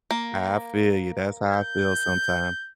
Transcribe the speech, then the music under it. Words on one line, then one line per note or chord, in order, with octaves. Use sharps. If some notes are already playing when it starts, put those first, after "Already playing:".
I feel you, that's how I feel sometimes.
A#3
G6